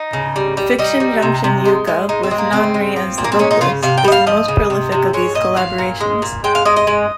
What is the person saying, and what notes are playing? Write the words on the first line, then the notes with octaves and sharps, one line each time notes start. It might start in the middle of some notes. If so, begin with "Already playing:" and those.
FictionJunction Yuuka, with Nanri as the vocalist, is the most prolific of these collaborations.
Already playing: D#4
C#3
G3
G3
G3 D#4
G3
C3
C3
G#3
G#3
G#3 D#4
C4
G#3
A#3
C#3 C4
G#3
F3
A#2
A#3
C4
G#3 C#4
D#4
C#3 F4
C3 F5
G5
G3 D#5
F5
F3 D#5
C#3
C3
C3
G#3 C#5
A#2 D#5
F3 F5
A#2
G#3
A#2
G#3 G5
F5
G#3 D#5
D#5
G#3